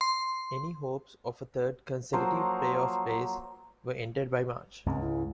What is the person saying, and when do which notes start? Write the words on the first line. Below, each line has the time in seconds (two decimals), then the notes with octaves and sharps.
Any hopes of a third consecutive play-off place were ended by March.
0.01 C6
2.13 F3 F#3 A#3 C5
4.86 C#2 G#2 C4
5.01 E4